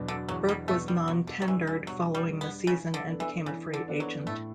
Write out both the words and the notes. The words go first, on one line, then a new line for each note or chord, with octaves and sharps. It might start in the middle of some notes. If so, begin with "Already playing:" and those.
Burke was non-tendered following the season and became a free agent.
Already playing: E2 B2 F#3 B3 D4
D3
E2 F#3
G3
B2 F#3 A3 B3 D4
G3
B2 F#3
D3
F#3
E3 G3 D4
E3
B2 F#3
G3
G3 D4
B3
C#3 E3
D3
B3 D4 A4
E3
C#3 E3
D3
B3 D4 A4
F#3
A2 A3